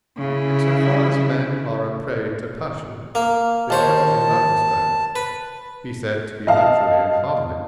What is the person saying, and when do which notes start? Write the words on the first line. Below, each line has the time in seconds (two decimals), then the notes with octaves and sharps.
In so far as men are a prey to passion, they cannot, in that respect, be said to be naturally in harmony.
0.18 C#3 E4
3.15 A#3
3.70 D#2 C5 C#5 A5
5.16 B4
6.47 D#5 F5 A5